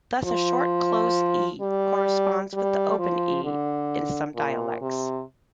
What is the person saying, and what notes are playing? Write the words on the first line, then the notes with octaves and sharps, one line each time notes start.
Thus, the short close "e" corresponds with the open "e" in some dialects.
F3
G3
G3
F3
D3
A#2
C3